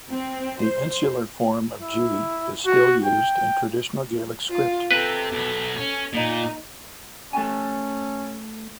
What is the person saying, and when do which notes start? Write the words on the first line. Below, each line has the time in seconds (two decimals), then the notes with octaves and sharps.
The insular form of g is still used in traditional Gaelic script.
0.10 C4
0.59 C5
1.81 E4
2.66 F#4
3.04 G5
4.49 F4
4.91 C3 A4 B4
5.32 B1 B3
5.77 C#4
6.13 A#2 D#4
7.33 A3 C#4 G#5